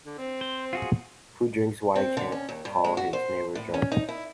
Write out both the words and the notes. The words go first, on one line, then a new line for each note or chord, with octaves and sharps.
Who drinks why can’t call his neighbor drunk.
D3
C4
C5
F4 F#4 G#4
C4
D3
C#4
D#2
G2
G#3
F#4
C5
A2
C#4
D#4
E4